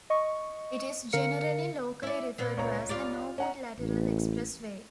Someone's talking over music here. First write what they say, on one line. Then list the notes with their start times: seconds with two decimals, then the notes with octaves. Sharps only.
It is generally locally referred to as the Norwood Lateral Expressway.
0.10 D#5 C#6
1.13 D3 A#4 F5 C#7
2.03 E4 D5
2.38 A#2 B3 C4
2.57 C#2 C#5 A#5
2.89 F4 G4 D5
3.38 C#4 F#5 A#5
3.80 A1